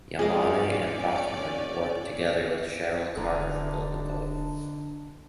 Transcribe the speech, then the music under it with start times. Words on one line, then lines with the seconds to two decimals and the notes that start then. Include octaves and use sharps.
Yamane and Bachman worked together with Cheryl Carter to build the boat.
0.19 G#3 C#4 F4 G#4 D5 D#5
3.17 D#1 D3 D4 D#4